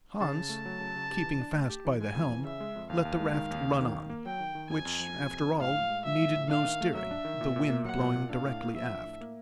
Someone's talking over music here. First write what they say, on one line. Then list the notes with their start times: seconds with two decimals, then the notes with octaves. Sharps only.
Hans, keeping fast by the helm, let the raft run on, which, after all, needed no steering, the wind blowing directly aft.
0.20 C#3 A5
0.35 C#3
0.49 A3
0.66 F#3
0.80 C#3
0.96 C#3
1.10 G4
1.25 E3
1.40 D4
1.55 A3
1.70 G4
1.85 E3
2.00 G#3 G#5
2.15 F2
2.30 E3
2.44 C#3 E5
2.60 G#3
2.76 F2
2.90 D#2 F5
3.05 D#2
3.20 G#3
3.35 D#3
3.51 D#2
3.65 D#2
3.81 D#3
3.95 D#3
4.10 A#3
4.25 F#3 G5
4.40 D#3
4.55 D#3
4.70 F2 G#5
4.85 F2
5.00 F3
5.15 C3
5.30 F2
5.45 F2
5.60 A2 F5
5.75 A2
5.90 G#3
6.05 F3 E5
6.20 A2
6.35 A2
6.50 D4 F5
6.65 D#3
6.81 A3
6.95 F#3 E5
7.11 D4
7.25 D#3
7.41 A#2
7.56 A#2
7.70 A#3
7.85 F#3 F#5
8.00 A#2
8.15 A#2
8.30 D4 F5
8.46 A2
8.60 A#3
8.75 F3 E5
8.90 D4
9.05 A2
9.21 A#3